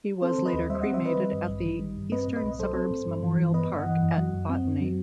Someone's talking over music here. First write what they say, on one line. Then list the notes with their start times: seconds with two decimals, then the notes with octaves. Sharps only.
He was later cremated at the Eastern Suburbs Memorial Park at Botany.
0.22 C4 A4 C5
0.38 D#3
0.45 B4 D#5
0.54 D#2
0.70 G3 C5 E5
0.81 D#5 F#5
0.86 C4
0.93 C5 E5
1.01 D#3 B4 D#5
1.18 G3
1.33 G2
1.49 A1
1.65 D#3
1.80 G3
1.97 G2
2.12 C4 B4 D#5
2.28 A2
2.36 B4 D#5
2.43 B1
2.59 F#3 A4 C5
2.75 C4
2.91 A2
3.07 G2
3.23 E3
3.38 G2
3.54 B3 B4 D#5
3.71 G2
3.78 D#5 F#5
3.86 E3
4.02 F#2
4.17 F#3
4.33 F#2
4.49 C4
4.65 F#2
4.81 F#3